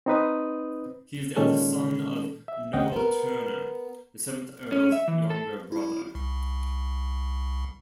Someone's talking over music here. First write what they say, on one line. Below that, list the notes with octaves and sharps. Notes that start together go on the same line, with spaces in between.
He is the eldest son of Noel Turnour, the seventh Earl's younger brother.
C4 D#4 B4 D#6
A#2 D#3 G#3 C#4 A4
E5
D2 C#4 D#5 F#5 G5
B3 A#4
C#4
E5
E3
A4
E4
C2